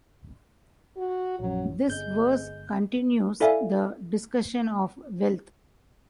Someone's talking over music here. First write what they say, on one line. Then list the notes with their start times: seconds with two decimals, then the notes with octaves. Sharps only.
This verse continues the discussion of wealth.
0.97 F#4
1.39 A#1 F#2 F#3
1.88 G1 G#3 G6
3.40 E4 A4 D5 E5 F5 G#5